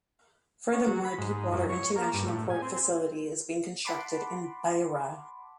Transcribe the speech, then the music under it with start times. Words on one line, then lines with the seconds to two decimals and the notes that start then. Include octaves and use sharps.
Furthermore, a deep-water international port facility is being constructed in Beira.
0.73 C#4
0.87 F#3
1.05 B5
1.18 G#2
1.52 F#2
1.69 C#5
1.96 A#3
2.13 G2
2.26 A2
2.50 G#5
2.62 C4
3.85 F#5 A5 B5 C6 D6